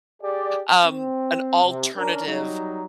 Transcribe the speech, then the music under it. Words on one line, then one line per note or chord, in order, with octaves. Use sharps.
um, an alternative
G4 G#4 D5
C4
C3
C#4 D4 A#4
F#3 G3 D#4